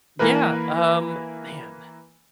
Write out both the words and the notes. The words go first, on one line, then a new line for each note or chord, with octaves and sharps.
Yeah. Um, man,
E3 A#3 A#4 B4